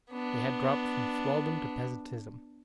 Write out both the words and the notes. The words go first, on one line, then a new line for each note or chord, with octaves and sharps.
They had dropped from swelldom to peasantism.
B3 D4